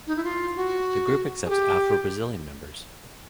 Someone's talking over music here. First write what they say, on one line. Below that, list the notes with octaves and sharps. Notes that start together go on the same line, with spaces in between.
The group accepts Afro-Brazilian members.
D#4
E4
F4
F#4
G#4
G4